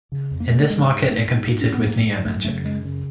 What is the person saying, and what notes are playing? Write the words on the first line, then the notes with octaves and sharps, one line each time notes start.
In this market it competed with NeoMagic.
C#3
F2
A#3
C#3 A3
A3
G#2 G#3
G#2
G#2 A3
G#2
G#2 A#3
C#4
G#2
B3
G#2 A#3
G#2
F#2 A3
C#3 A3
F#2 G#3
C#3